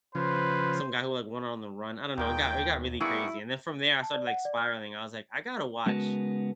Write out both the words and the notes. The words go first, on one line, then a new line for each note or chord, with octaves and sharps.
some guy who had went on the run. I don't know, it got it got really crazy, and then from there, I started, like, spiraling, I was like, “I gotta watch
C#3 F3 B4 C5
D#2 A#2 D#3 G#3 G5
G3 A#3 B3 E4 G#4 C#6
A5
D5
F#5
D5
F6
C#3 G#3 B3 F#4 A#4 A5